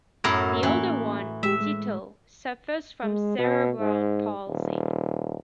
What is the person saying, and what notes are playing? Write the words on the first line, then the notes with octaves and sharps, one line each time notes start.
The older one, Tito, suffers from cerebral palsy.
F#2 A2 A#4 B5 G#6
E3 A#3 C#4
G#3 G4 E5
G#3
G#3
B2
G#2
D#1